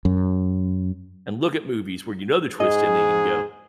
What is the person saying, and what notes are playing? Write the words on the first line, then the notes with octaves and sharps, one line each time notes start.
and look at movies where you know the twist ending and go
F#2
G#2 G#4 D#5